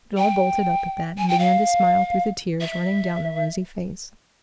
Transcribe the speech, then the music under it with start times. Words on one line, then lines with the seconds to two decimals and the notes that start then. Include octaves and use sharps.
Joel bolted up at that, and began to smile through the tears running down the rosy face.
0.17 G5
1.18 G#5
1.29 G5
1.39 F5
2.61 E5